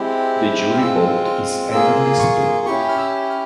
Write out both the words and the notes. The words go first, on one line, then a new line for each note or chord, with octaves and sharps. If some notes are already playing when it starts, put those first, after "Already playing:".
The jury vote is evenly split.
Already playing: G#3 C4 E4 G4
F6
G#3 C4 F4 E6
F6
A#3 F4 G#4 E6
C#6
C#4 E4 G4 C#6
F6
E6
F6